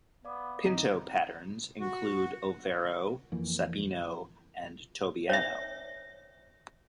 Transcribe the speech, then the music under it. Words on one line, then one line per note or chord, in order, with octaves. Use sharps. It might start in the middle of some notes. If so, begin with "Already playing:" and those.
Pinto patterns include overo, sabino and tobiano.
B3 D5 F5 D6
G1 F#3 C4 D#4 E4 D#5 A#5
F#4
F2 E3 A#3
C#5 E5